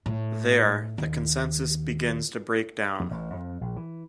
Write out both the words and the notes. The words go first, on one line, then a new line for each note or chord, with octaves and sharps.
There, the consensus begins to break down.
A2
D#2
F2
A1
F2
A#1
E3